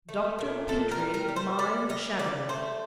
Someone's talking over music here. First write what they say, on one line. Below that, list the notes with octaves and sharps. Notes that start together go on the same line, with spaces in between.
Dr. Petrie--my shadow...
A3
A#2
A#2 A4
A#4
G3
A#4
G3
C5
G3 D5
G3 D#5
G3 D5
A3 C5